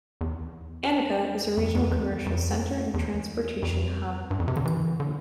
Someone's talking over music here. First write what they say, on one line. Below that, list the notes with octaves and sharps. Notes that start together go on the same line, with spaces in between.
Annaka is a regional commercial center and transportation hub.
E2
F2
F2
E2
F2
E2
F2
G2
F2
C3
D3
E3
D3